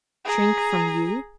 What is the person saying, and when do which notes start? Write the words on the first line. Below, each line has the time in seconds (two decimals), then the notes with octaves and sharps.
"Shrink from YOU?"
0.25 G#4 A#5